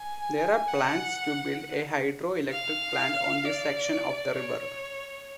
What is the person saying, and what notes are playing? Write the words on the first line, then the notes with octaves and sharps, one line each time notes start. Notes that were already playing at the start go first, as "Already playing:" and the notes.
There are plans to build a hydroelectric plant on this section of the river.
Already playing: G#5
F#5
F5
D5
C#5